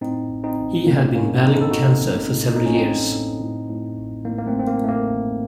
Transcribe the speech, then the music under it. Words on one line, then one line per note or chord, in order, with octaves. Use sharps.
He had been battling cancer for several years.
A2 C4 D#4
A1
C4 D#4
A1
A2 A#3 C#4
A2 A#3 C#4
A2 C4 D#4
A4
A1 D#4 F#4
A1
A2
A2 D#4
C#4
C4 D#4
A2
A2
A2
A2
A1
A2 A#3
A#3
A3 C4
A1
C4
A#3
A2 A3
A#3
A1